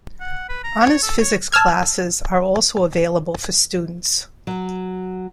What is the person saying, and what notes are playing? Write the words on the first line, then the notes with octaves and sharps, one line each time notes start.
Honors Physics classes are also available for students.
F#5
B4
A#5
C#5
A4
C#5
A5 E6 F6 G#6
F#3